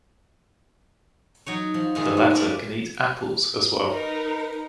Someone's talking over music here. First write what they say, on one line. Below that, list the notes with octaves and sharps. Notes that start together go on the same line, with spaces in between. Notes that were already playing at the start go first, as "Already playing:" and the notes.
The latter can eat apples as well.
F#3 D#4 C#5
F3
G#2 C3 D#3 C4 G#4
A3
G#3 C#4 D4 G4 D5 F5
D#4 A#4 B4